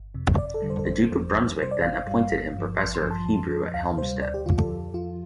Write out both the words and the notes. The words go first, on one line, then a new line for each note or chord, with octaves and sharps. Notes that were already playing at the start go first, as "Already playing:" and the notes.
The Duke of Brunswick then appointed him professor of Hebrew at Helmstedt.
Already playing: G1
F2 C3
G1 D5
A4
F2 D3 G3
C5
A4
G1 C5
F2 F3
C2
C3 G3 C5
D5
G1 F5
G2 G3
G1
G2 F3
A1 C6
C6
G2 F3
A5
F2
F3
D2 F5
C3 G3 C5
D2 D5
G4
D3 F3 F4
A4
F2
F3 F4